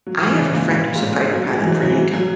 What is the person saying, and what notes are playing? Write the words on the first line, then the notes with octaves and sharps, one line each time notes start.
I have a friend who's a fighter pilot for NATO,
F#3
E3
E3
C#3
A#2
G#2
G#2
A#2
G#2
A#2
F#3
G#3
E3
F#3
E3
F#3
E3
F#3
F#3